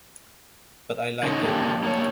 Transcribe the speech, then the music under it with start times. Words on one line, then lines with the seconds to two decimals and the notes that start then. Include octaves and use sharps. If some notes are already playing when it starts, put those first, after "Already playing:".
But I Like It.
1.23 D3 C#4 D#4 D#5
1.42 F2 A#3 D4 G4
1.83 A#3 C#5